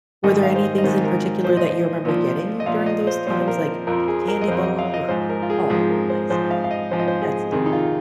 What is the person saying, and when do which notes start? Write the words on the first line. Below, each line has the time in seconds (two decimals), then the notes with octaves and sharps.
Were there any things in particular that you remember getting during those times, like a candy bar or Aw, ice cream. That's lovely.
0.24 G#2 D#3 D#5
0.43 F5
0.56 C5
0.64 D#5
0.78 D#5
0.84 G#2 D#3 C5
1.04 A#4
1.44 A#2 F3 C5
1.57 D#5
1.70 C5
2.05 A#2 F3
2.60 D#5
2.66 A#2 F3 F5
2.86 D#5
3.07 C5
3.27 A#2 F3 C5
3.41 C5
3.48 A#4
3.87 F2 F3 A#4
4.08 G#4
4.28 A#4
4.41 D#5
4.48 F2 F3 C5
4.63 D#5
4.79 F5
4.94 D#5
5.08 G#2 F3 C5
5.30 A#4
5.43 F4
5.50 G#4
5.70 G#2 F3 G#4
5.90 A#4
6.10 C5
6.30 G#2 F3 C5
6.51 F5
6.64 F5
6.71 D#5
6.91 G#2 F3 C5
6.99 D#5
7.08 C5
7.22 G#4
7.52 F2 C3 D#3 G#4
7.66 D#4
7.73 F4